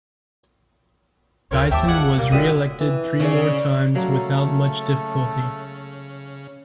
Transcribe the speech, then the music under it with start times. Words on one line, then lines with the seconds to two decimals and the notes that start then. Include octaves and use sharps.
Dyson was reelected three more times without much difficulty.
1.51 D2 C4 F4 A#4 C#5
1.71 G1 D#2 E5 G5 A5 D6
1.87 G#3 F4 F#5 D6 G#6
1.99 D3
2.17 C3 G3 A#3
2.32 F#2 A#2 D3 G#3 D#5 E5 G5
2.80 E3
3.20 C#3 C#4 G#4 D5
3.95 C#3 F#3 A3 A#3